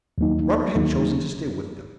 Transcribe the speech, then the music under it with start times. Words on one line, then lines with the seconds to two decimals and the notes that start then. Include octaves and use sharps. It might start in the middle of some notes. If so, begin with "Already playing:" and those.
Robert had chosen to stay with them.
0.18 D#2 D#3 F#3 A#3 D#4
0.75 D#2 D#3 F#3 A#3 D#4